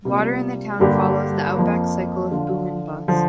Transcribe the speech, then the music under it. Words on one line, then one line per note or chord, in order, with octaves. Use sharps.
Water in the town follows the outback cycle of boom and bust.
C3 G3 A#3 F4
G2 D3 A#3 D4 G4
F2 F3 A#3
D3 F3 D4 F4
D3 F3